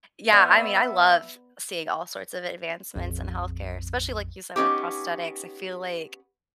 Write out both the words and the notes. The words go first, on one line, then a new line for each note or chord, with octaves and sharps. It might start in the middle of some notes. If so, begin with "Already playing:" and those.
Yeah, I mean, I love seeing all sorts of advancements in health care, especially, like you said, with prosthetics, I feel like,
B3 D5 E5 C#6
A#1 F2
B3 C#4 D#4 G4